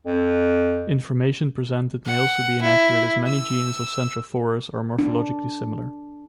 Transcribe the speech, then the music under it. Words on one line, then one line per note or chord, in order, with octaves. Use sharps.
Information presented may also be inaccurate as many genus of "Centrophorus" are morphologically similar.
F2
F#5
E4
E6
D4